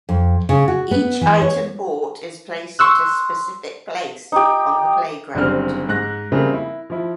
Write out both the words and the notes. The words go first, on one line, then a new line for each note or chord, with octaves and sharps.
Each item bought is placed at a specific place on the playground.
F2
C#3
F#4
B3
E3
C#5
C6 C#6 E6 F#6
D#4 G4
F#1 D3 G3 C4 F6
G#2 F#6 A#6
C#3 G3 A3 A#3 C4
E4
F3 E4